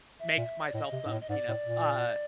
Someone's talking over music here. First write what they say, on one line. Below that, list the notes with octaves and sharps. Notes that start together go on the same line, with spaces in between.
make myself some peanut, uh
E5
A#2
D5
A2 D#5
C3
G#2
A2
D#5
G#2 D5
A2
A#2